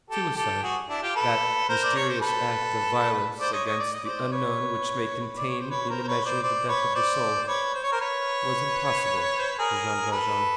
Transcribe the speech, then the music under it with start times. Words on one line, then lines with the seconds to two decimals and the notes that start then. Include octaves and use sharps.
Suicide, that mysterious act of violence against the unknown which may contain, in a measure, the death of the soul, was impossible to Jean Valjean.
0.10 G4 A4
0.36 G4 A4
0.63 F#4 G#4
0.89 D4 E4
1.02 F4 G4
1.15 A4 B4
1.69 A#4 C5
1.84 D5
1.96 C#5
2.09 C5
2.20 A4 B4
3.39 C5 D5
3.52 C#5 D#5
3.66 C#5 D#5
3.79 D5
3.92 D#5
4.04 C5 D5
4.32 B4 C#5
5.37 D5
5.48 C#5
5.59 C5
5.70 B4 C#5
5.90 A#4 C5
6.03 C5
6.08 B4 C#5
6.25 C5 D5
6.43 C5 D5
6.68 B4 C#5
6.95 C5 D5
7.48 B4 C#5
7.74 C5
7.83 C#5
7.92 A#4 C5
8.00 B4 C#5
9.39 C5
9.48 B4
9.59 G#4 A#4
10.12 A4 B4